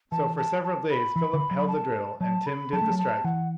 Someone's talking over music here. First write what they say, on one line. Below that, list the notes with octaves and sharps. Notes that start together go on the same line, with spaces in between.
So for several days Philip held the drill and Tim did the striking.
E3 A5
A5
A5
B5
E3 B5
D3
F#3
B5
A5
F#3 A5
B5
F#3 A5
A3
F#3
A5
E3 F#5